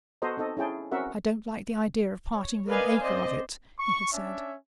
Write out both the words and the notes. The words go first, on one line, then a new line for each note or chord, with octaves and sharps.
"I don't like the idea of parting with an acre of it," he had said.
B3 F#4 A4 C5 D#5 A#5
C4 D#4 A4 D#5
C#4 E4 G#4 G5 A5
C4 C#4 F#4 A#4 E5 F#5
C#5
A#4 B4 D5 D#5 F5 G#5
C4 C5 D5 D#5
C#6
C#4 D4 E5